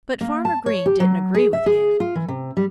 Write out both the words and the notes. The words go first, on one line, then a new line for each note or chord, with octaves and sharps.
But Farmer Green didn't agree with him.
A#3
A5
C#5
G4
F#3
G#4
E5
G#4
F4
E3
C3
G3